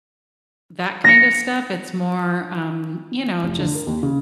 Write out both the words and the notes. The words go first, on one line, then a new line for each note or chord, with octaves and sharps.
that kind of stuff, it's more, um, you know, just
A#6 C#7
F1
D3
A#4
D#2
C#3